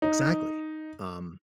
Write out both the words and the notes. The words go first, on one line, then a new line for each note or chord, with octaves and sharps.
Exactly. Um,
D#4